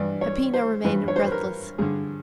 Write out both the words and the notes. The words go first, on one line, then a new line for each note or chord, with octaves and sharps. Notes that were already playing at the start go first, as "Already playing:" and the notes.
Peppino remained breathless.
Already playing: G2 E3 D5
C#5
C5
G2 E3 B4
C#5
C5
B4
A#4
G2 D3 G#4